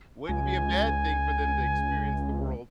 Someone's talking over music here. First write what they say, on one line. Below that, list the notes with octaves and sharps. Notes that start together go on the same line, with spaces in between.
wouldn't be a bad thing for them to experience the world
C#2 G#5